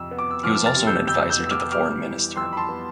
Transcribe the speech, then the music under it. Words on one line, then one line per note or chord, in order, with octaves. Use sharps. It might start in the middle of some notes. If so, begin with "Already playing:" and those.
He was also an advisor to the foreign minister.
Already playing: F2 C3 E6
B3
D6
E6
F3 D6 F6
F6 A6
C3
E6 G6
F2 E6 G6
E6 G6
B3
E6
D6 F6
G3 D6 F6
E3
F2 C6 E6
B5
A5 C6
B3